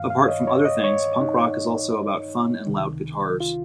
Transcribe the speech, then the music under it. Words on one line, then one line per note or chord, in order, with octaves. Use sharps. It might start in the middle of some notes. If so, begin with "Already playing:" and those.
Apart from other things, punk rock also is about fun and loud guitars.
Already playing: G2 D#3 F5
F5
C#5
D#5
C#5
D#5
C#5
D#4
C#2 C3 D#3
F4